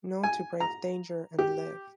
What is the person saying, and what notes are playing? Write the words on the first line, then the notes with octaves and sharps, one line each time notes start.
Known to brave danger and live.
G#5
A#5
G4